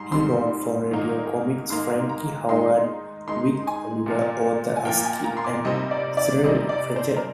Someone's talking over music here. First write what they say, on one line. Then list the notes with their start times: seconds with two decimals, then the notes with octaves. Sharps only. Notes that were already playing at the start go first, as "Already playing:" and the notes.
He wrote for radio comics Frankie Howerd, Vic Oliver, Arthur Askey, and Cyril Fletcher.
Already playing: G#2 G3 A#5 C6
0.11 G#2 D#3 G3 C4 C6
0.91 G#2 D#3 A#3 D#4
1.70 G#2 D#3 A#3 D#4 C6
2.09 A#5
2.49 D#3 G#3 D#4 C6
3.27 D#3 G#3 D#4 C6
3.67 G#5
4.06 A#2 F3 A#3
4.76 G#5
4.85 A#2 F3 A#3 G5
5.05 G#5
5.24 A#5
5.37 C6
5.44 D6
5.64 C3 G3 C4 D#4 D#5
5.91 D5
6.17 D5
6.44 C3 G3 C4 D#4 D#5
6.69 D5
6.96 C5
7.16 A#4